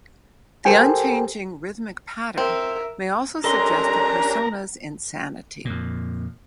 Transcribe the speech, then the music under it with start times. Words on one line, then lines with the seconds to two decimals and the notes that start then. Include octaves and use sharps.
The unchanging rhythmic pattern may also suggest the persona's insanity.
0.65 G4 A4 A#4 C5 G5 G#5
2.38 C4 A#4 E5
3.44 C#4 D4 G4 A4 A#4 D#5 A#5 C6
5.65 F2 A#2